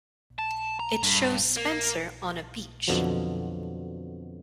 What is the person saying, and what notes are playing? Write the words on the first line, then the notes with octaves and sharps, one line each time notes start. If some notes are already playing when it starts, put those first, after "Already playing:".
It shows Spencer on a beach.
A5
A#5
G2
A#3
F2 B2 D3 F3 F#3